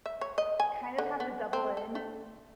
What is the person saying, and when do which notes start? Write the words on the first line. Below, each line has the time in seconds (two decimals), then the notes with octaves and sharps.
kind of have to double in
0.06 E5
0.21 C#5
0.38 D#5
0.60 G#5
0.98 D3
1.20 B3
1.53 C4
1.77 A4
1.95 A3